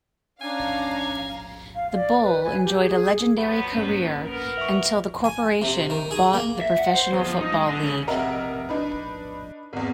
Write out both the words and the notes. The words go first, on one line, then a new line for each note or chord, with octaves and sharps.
The Bull enjoyed a legendary career until the Corporation bought the professional football league.
C#4 D4 F5 G#5 A#5
F5
D5
B4
G#5
G4
G#4
G#4
C3 F#3 B3 B5
G2 A#3 C#4
B3 A#4
E5 C#6
G#5
C3
D#3
G#4
A#3
E5
F#5
C5
E2
F3
D#4
G#3
D3
C#3
F1 A#4 D#5 E5 F#5
D4 D#4 B4
G#1 E2